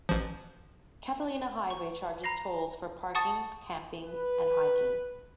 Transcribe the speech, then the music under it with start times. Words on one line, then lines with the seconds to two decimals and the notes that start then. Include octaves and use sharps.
Catalina Highway charges tolls for parking, camping, and hiking.
0.09 A1 F3
1.70 C#6
2.24 A#5 B5 A#6 C7
3.15 F#5 A5 C#6 D#6 A6
4.03 B4